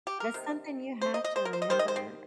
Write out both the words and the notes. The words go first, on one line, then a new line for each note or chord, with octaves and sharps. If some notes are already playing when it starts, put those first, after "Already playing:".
That's something you have to remember.
G4
A#4
C3 D#3
C5
D#5
D#5
C5
A#4
C5
D#5
D#3 G3 C5
D#5
C5
C4